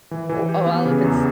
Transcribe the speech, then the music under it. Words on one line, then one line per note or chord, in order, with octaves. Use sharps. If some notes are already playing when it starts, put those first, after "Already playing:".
O oh, well, if it's
E3
E3
G4
B3
C#3
E2